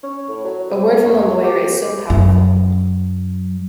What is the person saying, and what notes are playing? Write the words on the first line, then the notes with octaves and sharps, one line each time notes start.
A word from the lawyer is so powerful.
C#4
A2
F#3
C3
F#2
G4
F#2 F#3